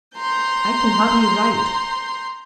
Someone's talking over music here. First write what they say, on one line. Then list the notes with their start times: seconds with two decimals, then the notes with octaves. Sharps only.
I can hardly write.
0.16 A#5 C6 G6